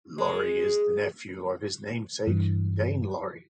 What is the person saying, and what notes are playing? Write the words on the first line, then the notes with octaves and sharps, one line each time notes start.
Laurie is the nephew of his namesake Daine Laurie.
G#3
G2 E3